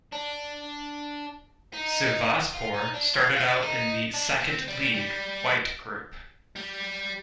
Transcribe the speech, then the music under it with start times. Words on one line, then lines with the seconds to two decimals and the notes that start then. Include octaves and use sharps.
Sivasspor started out in the Second League, White Group.
0.12 D4
1.73 D#4
2.54 F4
2.74 D#4
2.94 D4
3.14 F4
3.34 F4
3.43 D#4
3.53 D4
3.62 D#4
4.14 D4
4.41 C4
4.68 G3
4.94 G3
6.56 G3